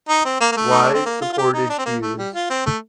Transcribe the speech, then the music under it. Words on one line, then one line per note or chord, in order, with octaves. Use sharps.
Wise supported Hughes.
D#4
C4
A#3
A#3
A3
D#4
D4
C4
A#3
F4
F4
G4
D#4
D4
C4
A#3
A3
G3
F4
C4
A3